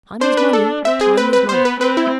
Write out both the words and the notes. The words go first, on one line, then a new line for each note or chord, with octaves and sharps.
Time is money, time is money.'
D4 C5
B4
A4
C4 E5
G#4
B4
B4
B3 C5
B4
C4 B4
E4